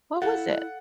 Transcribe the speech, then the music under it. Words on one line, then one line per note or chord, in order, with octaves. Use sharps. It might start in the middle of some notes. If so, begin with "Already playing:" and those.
What was it?
E4 A4 F5 F#5